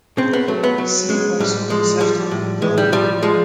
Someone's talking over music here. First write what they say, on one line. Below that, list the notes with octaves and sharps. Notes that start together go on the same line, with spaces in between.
See also Sefton Delmer.
C#3 C4
B3
F#3 A3
B3
F#3
C#3 G#3
A2 G3
F3 G#3
F3 G3
A2
A2 G#3
G3
F3 G3
F3 G#3